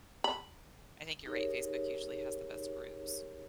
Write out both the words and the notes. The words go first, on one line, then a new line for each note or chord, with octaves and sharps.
I think you're right, Facebook usually has the best groups.
B5
D#4 G4 G#4 A#4 C#5